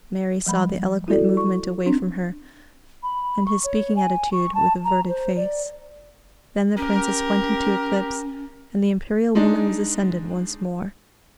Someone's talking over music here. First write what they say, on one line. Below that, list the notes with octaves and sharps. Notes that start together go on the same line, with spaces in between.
Mary saw the eloquent movement away from her and his speaking attitude, with averted face; then the princess went into eclipse, and the imperial woman was ascendant once more.
F3 G3 B5
E4 F#4 A4 D5
C#6
C4 D4
B5
C#6
C#5
G#5
C#6
A5
A#5
C5
D5
C#4 G4 A#4
G#3 D4 D#4